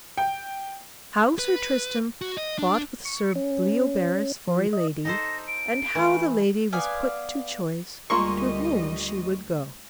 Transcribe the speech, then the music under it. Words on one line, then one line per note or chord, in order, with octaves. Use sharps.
How Sir Tristram fought with Sir Bleoberis for a lady, and how the lady was put to choice to whom she would go.
G5
B4
F#4
D#5
D4
C#6
C#4
F3
D#5
D#4 A4 C5 A#6
D7
E3 A3
B3 D5 F5 G#5
D2 G3 G#3 A#3 F4 D#5 C6 C#6